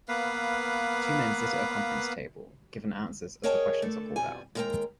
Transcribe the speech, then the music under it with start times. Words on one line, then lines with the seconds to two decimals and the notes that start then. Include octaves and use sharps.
Two men sit at table at a conference given answers as the questions are called out.
0.08 A#3 B3 B4 F5
3.44 G#4 A#4 C#5 D#5 G5 A5
3.82 D3 A3 A4
4.16 F2 B2 G3 G#5
4.55 D#2 G#3 A#4 E5 G5 A#5